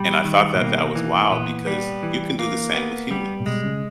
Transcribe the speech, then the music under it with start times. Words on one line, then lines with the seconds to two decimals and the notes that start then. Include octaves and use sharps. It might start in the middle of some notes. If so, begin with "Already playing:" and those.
and I thought that that was wild, because you can do the same with humans,
Already playing: A#2 G3
0.24 D#3
0.55 A#2
0.60 B2 A#3
0.95 E3
1.31 A#2 B3
1.67 G3
2.03 E3
2.39 A#3
2.75 B3
3.11 G3
3.40 A#2
3.46 B2 G#3
3.64 C#3